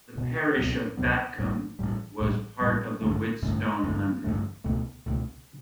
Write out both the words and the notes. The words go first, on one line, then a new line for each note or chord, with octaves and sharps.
The parish of Batcombe was part of the Whitstone Hundred.
C#2 B2 F#3 B3
C#2 B2 F#3 B3
C#2 B2 F#3 B3
A1 A2 G3
A1 A2 G3
A1 A2 G3
A1 A2 G3
A1 G2 D3 A3
A1 G2 D3 A3
A1 G2 D3 A3
A1 G2 D3 A3
C#2 B2 A3
C#2 B2 A3